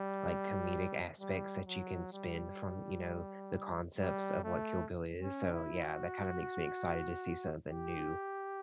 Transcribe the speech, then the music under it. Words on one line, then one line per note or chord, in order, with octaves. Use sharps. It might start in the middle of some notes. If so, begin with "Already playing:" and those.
like, comedic aspects that you can spin from, you know, the concepts of what Kill Bill is, so, yeah, that kinda makes me excited to see something new,
Already playing: G3
G3
F#3
G3
G3
A3
C#4
E4
F#4
G4